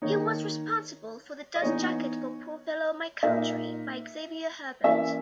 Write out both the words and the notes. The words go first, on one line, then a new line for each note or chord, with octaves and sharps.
He was responsible for the dust-jacket for "Poor Fellow My Country" by Xavier Herbert.
D#3 A#3 D#4 C#5
D#5
E3 B3 D#4 C#5
A#2 A#3 D#4 E5
E3 A#3 C#4 E5